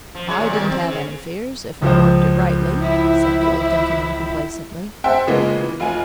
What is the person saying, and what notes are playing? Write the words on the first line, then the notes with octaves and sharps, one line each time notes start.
"I didn't have any fears, if I worked it rightly," said the old gentleman complacently.
F3
F#3 G#3 C#5
D#2 A#2 C#5
E2 D#3 G4
C4
C#3
C#2 F3 C5
E4
C4 E5 F#5 G5 A5 C6
C#3 F3 G#3 A#3 B3
E3
F1 F4 G#5